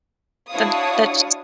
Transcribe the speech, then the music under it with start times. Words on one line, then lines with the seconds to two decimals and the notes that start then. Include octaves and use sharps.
That that's just
0.49 D4 E4 F#4 C#5 F5 D#6